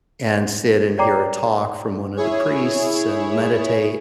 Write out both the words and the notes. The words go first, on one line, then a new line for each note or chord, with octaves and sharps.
and sit and hear a talk from one of the priests and meditate.
C#5 D5 G5 A#5 D6 C7
E4 G#4 C#5